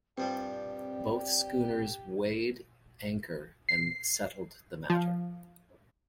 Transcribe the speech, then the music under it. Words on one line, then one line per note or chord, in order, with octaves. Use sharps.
Both schooners weighed anchor and settled the matter.
G2 F3 G3 C4 G4 D5
C7
F3